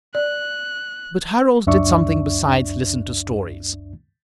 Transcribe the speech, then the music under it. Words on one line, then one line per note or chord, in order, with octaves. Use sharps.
But Harald did something besides listen to stories.
D5 F#6
C#2 F#2 D4 D5 E5 C#6